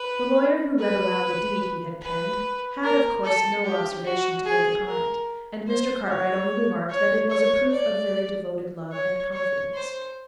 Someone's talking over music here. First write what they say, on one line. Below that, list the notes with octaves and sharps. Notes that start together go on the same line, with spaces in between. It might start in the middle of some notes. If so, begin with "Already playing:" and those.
The lawyer who read aloud the deed he had penned, had of course no observation to make upon it, and Mr. Cartwright only remarked that it was a proof of very devoted love and confidence.
Already playing: B4
B4
B4
A#4
A4
G4
F#4
G#4
A#4
C5
C#5
C#5
C#5
D5
C#5
C#5
C5